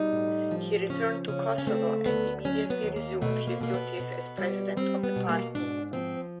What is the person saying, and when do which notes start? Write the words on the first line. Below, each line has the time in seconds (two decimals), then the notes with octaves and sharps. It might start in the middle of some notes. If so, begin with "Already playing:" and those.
He returned to Kosovo and immediately resumed his duties as president of the party.
Already playing: B2 G3 D#4
0.12 A2
0.51 F3
0.90 C#3 C#4
1.28 C#3 C#4
1.58 C#4
1.67 A3 C4
2.05 D2 B3
2.45 F#3 C#4
2.70 B3
2.83 D#2
2.96 A#3
3.21 B2 A3
3.47 A#3
3.61 B2 A#3
3.74 B3
4.00 B2
4.38 G3
4.77 G3 C4
5.03 B3
5.16 B2
5.29 A#3
5.55 G#2 D4
5.93 F3 C4